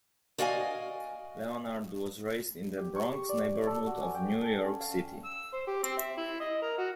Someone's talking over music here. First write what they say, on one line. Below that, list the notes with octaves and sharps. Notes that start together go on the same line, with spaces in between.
Leonard was raised in the Bronx neighborhood of New York City.
F#4 D5 D#5 F5 F#5 G#5
G4
C#6
D5
A4
F#4
G#5
G5
A4
C#4
F5
E6
C5
G4
C4
E5
E4
D#5
A#4
F#4